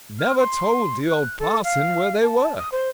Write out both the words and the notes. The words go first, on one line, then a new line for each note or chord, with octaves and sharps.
Never told the old parson where they were.
F6
C6
F#6
A4
F5
A5
D#6
C5